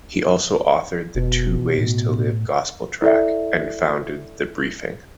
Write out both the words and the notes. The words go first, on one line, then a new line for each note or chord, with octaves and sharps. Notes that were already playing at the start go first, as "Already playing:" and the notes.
He also authored the "Two Ways To Live" gospel tract and founded "The Briefing".
F1 B2
A2
E4 A4 D5 E5